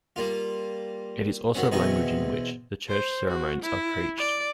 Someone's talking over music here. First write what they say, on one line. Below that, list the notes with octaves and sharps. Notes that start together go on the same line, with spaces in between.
It is also the language in which the church sermons are preached.
G3 A#3 F4
D#3 F#3 C4 C#4
E2 B2 E3 C4 D#5 C#6
C5
F#4
E4
D5